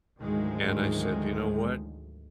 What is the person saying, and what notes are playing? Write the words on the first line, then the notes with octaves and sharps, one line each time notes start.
And I said, "You know what?
D2 G#2 D#3 F3 F#3 G#3